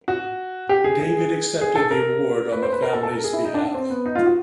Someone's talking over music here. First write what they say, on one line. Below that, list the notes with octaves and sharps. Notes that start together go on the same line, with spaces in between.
David accepted the award on the family's behalf.
F#4
G4
G#4
G#4
G#4
A4
A#4
B4
C5
B4
A#4
A4
A4
A#4
G#4
E4
D#4
D4
D4
C4
B3
D#4
F4
F#4